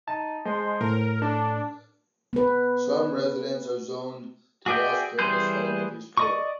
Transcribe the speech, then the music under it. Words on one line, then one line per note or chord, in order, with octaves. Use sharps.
Some residents are zoned to Las Colinas Elementary School.
D#4 A5
G#3 C5
A2 A#4
D4 A4
B3 B4
F#4 G#4 D5 E5 G5
E3 G3 G#4 C5 G6
D5 D#5 C#6